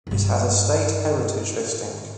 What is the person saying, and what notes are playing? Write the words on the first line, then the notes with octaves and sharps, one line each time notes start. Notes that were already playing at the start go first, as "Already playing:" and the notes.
It has a state heritage listing.
G2 G3